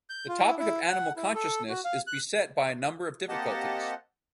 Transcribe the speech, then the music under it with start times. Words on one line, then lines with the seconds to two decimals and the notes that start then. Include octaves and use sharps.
The topic of animal consciousness is beset by a number of difficulties.
0.10 G6
0.28 F4
0.41 E4
0.59 E4
0.88 F#5
1.16 E4
1.35 A4
1.69 F#4
1.85 F5
2.07 F#6
3.29 A#3 C4 G4 D#5 F#5 A5